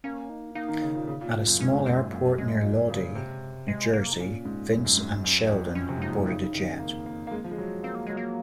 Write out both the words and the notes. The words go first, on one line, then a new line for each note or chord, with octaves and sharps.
At a small airport near Lodi, New Jersey, Vince and Sheldon board a jet.
A#3 C#4
D#4
A#3 D#4
D#3
C#3
A#2
C#3
A#2
A#2
F#2
G#2 C#4
A#2
G#2
F#2 C4
G#3
F#2 A#3
G#3
A#2
C#3
C3
G#3
A#3
D#4
A#2 C#4
G#2
F#2
F#2
G#2
G#2
C4
F#2 C#4
F2
F#2 C#4
C3
G#2
A#2 D#4
C3
C#3
D#3
C#4
A#3 C4
A#3
A#3
G#3
F3
G#3
F#3
A#3 C4
A#3
F#3 G#3
A#3